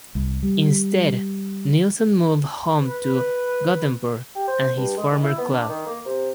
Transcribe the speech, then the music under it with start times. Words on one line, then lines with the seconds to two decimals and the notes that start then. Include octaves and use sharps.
Instead, Nilsson moved home to Gothenburg and his former club.
0.15 C2
0.43 G3
2.81 B4
4.35 G4
4.47 C5
4.77 G2
4.97 G#3
5.11 D#3
5.23 E4
5.38 B3
5.53 D4
5.69 D#3
5.86 A#3
6.06 C3